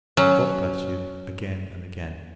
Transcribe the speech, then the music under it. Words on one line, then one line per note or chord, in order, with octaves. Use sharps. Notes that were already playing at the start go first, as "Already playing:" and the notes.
God bless you, again and again!
F#3 C#4